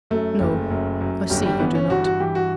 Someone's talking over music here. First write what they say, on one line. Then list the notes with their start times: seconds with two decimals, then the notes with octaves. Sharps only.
'No, I see you do not.
0.11 F#2 A3
0.40 F#1
0.70 F#2
1.01 F#2
1.30 G1 G3
1.46 G3
1.60 E3 B3
1.75 C#4
1.90 G2 F#4
2.05 F#4
2.20 E3 G4
2.35 F#4